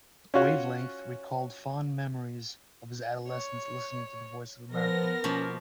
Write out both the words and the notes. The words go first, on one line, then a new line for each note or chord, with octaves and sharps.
"Wavelength" recalled fond memories of his adolescence, listening to the Voice of America.
C#4 F4 F#4 C#5
C#5
F3 B3 A#4 A#6
B2 F3 A#3 C#4